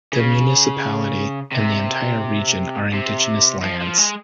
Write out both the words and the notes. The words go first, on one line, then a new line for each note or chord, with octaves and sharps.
The municipality and the entire region are indigenous lands.
C#3
C3
C3
F3
F3
G#3